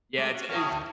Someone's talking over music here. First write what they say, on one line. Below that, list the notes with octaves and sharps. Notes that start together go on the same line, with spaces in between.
Yeah, it's it's
G#3 A3 D6
C#4 F#4
A2 F#3 C#5 G#5 F6
D2 D#4 C#5